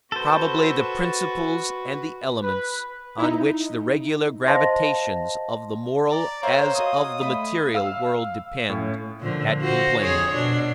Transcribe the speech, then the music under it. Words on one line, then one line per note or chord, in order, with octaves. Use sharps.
Probably the principles and the elements, on which the regular gravitations of the moral, as of the material, world depend, had complained.
F#4 A4 B4 C5
B4
D#4 E4
C5 D#5 F5 A5 C6 A#6
D5 A#5
A#4 C5 C#5 E5 F5 A#5
F#4 D#5 C6 D#6
A3 D#5 B5
F5 E6
A2 C#4
A#2 D3 F3
F4 F#4 C5
F2 G#4 C#5
B2 D4